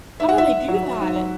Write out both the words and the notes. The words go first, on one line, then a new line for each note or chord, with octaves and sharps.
how do they do that?"
G#2 E5
F#5
G#2 E5
G#2
F#3
F#3
G#2
F#3